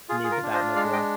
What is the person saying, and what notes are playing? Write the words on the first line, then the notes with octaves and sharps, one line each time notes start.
Need the Batmobile.
F4 G#4
G#4
A#4
D4
C5 D#5
G#3 D5 F5
D#5 G5